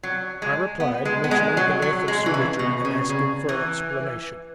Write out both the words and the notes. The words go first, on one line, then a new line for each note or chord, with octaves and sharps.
I replied, mentioning the death of Sir Richard, and asking for an explanation.
F#3
G#3
B3
G#3
B3
G#3
F#3
F#3
G#3
E3
C#3
B2
C#3
C#3
E3